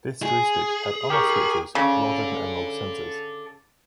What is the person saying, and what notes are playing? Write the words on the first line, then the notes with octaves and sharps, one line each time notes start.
This joystick had on-off switches rather than analogue sensors.
G#4
G4 A#4 C#6
C#3 A4 D5